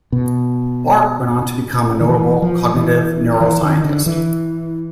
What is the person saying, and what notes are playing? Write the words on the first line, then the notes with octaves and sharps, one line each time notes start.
Barke went on to become a notable cognitive neuroscientist.
B2
D#3
E3
F3
E3
E3
D#3
D3
E3